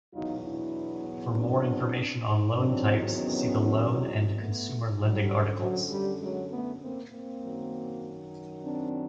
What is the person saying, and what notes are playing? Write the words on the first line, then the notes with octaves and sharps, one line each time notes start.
For more information on loan types, see the loan and consumer lending articles.
E2 B2 F#3 D#4 F4
D4 E4
C4 D4
E2 C3 D#3 F#3 C4 D4
B3 C#4
A3 B3
F#2 D3 F#3 G3
F#3
G3
F#3 G#3
A3 B3
A#3 C4
A#3 C4
F#2 D#3 F#3
C4 D4